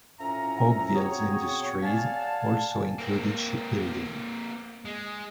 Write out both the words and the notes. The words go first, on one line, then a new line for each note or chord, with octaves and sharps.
Oakville's industries also included shipbuilding.
F2 A2 C#4 E5 A#5
F#3 B3 C4 G#4 C#5
D5 F5 F#5 G#5 A5
A#3 C4
G#3